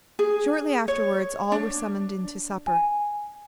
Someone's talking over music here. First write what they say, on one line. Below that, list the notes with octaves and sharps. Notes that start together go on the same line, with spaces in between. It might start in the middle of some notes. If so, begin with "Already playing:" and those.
Shortly afterwards all were summoned in to supper.
G#4
C#5
D4
G#5